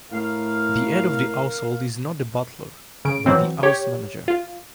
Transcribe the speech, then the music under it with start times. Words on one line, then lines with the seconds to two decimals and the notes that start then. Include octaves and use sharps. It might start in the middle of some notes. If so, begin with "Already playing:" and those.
The head of the household is not the butler, but the house manager.
0.12 A2 A#4 F5
3.05 C#3 D7
3.26 E3 F#3 C4
3.63 G4 C#5
4.28 F4